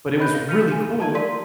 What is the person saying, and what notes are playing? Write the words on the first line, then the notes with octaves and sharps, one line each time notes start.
But it was really cool,
B4 C#5 D#5 B5 F#6 G6
F5 A#6 G7
F6 G6 B6 C#7 D#7 F7
G#5
G4 A4 A5 A#5 G#6 D#7
A#4 D5 C6 B6 D#7